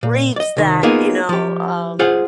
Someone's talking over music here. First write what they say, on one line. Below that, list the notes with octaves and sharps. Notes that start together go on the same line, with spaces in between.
Reads that, you know, um
A#2
D5 D#5
C2 D#3
A#3 B3 D#4 F4 G#4
F3 G4
F4 G#4 C5 F#5